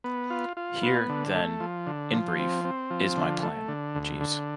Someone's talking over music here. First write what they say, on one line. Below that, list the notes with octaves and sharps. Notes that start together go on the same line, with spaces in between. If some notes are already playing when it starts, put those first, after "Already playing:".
Here, then, in brief, is my plan, Jeeves.
B3
F4
F4
B3
D3
A3
F3
D3
F3
C4
C4
F3
D3
A3
D3
D2
D3